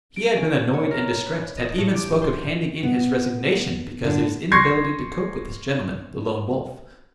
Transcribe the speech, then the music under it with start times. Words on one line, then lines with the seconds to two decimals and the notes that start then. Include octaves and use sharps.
He had been annoyed and distressed, had even spoken of handing in his resignation because of his inability to cope with this gentleman, the Lone Wolf.
0.16 D7
0.36 C#4
0.73 C#5
0.91 A#4
1.26 B4
1.57 D#5
1.78 A2
1.94 G4
2.22 C5
2.83 B3
4.05 D3
4.52 C6 C#6 G#6 A#6 C7 C#7